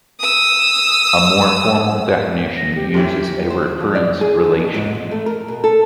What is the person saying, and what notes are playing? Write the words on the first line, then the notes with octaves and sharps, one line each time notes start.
A more formal definition uses a recurrence relation.
D#6 E6
A#6
G4
F#2 E3 G4
C5
F3
D5
G#4
F3
F2
G#2
F2
A3
A#4
B2
A4